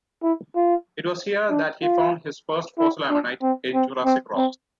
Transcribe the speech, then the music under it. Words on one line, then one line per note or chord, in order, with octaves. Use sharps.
It was here that he found his first fossil ammonite, in Jurassic rocks.
E4
F4
D4
F4
E4
D4
C4
C4
C4
C4